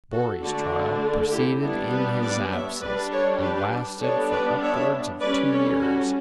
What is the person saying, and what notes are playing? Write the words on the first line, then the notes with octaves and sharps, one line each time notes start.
Borri's trial proceeded in his absence, and lasted for upwards of two years.
F#4 A4
D3 A3 D4 F#4 A4
E4 G4
G3 B3 D4 E4
G4 B4
B4 D5
C#5 E5
G3 D4 B4 D5
A4 C#5
G4 B4
G3 B3 D4 A4 C#5
B4 D5
C#5 E5
G3 C#4 B4 D5
A4 C#5
F#4 A4